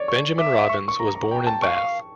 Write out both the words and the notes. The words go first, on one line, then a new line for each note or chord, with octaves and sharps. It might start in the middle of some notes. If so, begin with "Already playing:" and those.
Benjamin Robins was born in Bath.
Already playing: C#5 D5
C#6
E5 D6
C#6
C#6
A#5
A#5
G5
A5
F5 G5 C#6
C#6